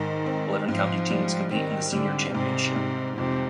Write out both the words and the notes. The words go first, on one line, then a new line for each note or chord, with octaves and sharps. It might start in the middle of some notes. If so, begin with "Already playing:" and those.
Eleven county teams compete in the Senior Championship.
Already playing: G#2 D#3
C4
G#2 F3
G3
D#3 C4
D3 G3
G#2 C3
G#2
F2 C3